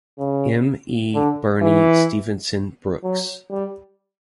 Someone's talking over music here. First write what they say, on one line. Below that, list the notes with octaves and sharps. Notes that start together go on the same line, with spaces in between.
M. E. Birnie Stephenson-Brooks.
C#3
D3
E3
F#3
G3